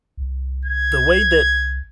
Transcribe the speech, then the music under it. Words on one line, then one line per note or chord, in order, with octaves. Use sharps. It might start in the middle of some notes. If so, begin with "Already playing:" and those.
the way that
C2
G#6